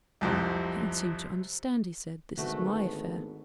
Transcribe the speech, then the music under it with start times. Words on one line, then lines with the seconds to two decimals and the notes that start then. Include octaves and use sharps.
"You don't seem to understand," he said, "this is my affair."
0.21 C2 F2 C3
2.38 G#1 D2 A3 B3 F#4